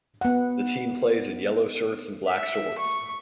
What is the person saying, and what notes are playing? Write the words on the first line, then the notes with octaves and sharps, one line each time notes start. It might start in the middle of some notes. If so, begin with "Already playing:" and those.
The team plays in yellow shirts and black shorts.
B3 F#5
E5
C#6